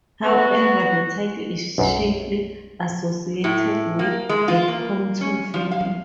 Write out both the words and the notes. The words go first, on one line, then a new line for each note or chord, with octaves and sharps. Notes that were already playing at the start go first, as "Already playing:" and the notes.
However, the title is chiefly associated with the Compton family.
B3 F#4
B1 F#2
A2
A#3
G#3
F4
A#3
C#4
F3
F5